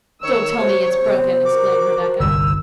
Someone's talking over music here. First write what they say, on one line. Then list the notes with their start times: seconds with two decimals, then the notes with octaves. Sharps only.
"Don't tell me it's broken," exclaimed Rebecca.
0.23 D#3 C#5 E6
0.59 C3 F#3 C5
1.00 C3 B3 C4
1.45 F#4 A#4 D6
2.20 G1 C2 E6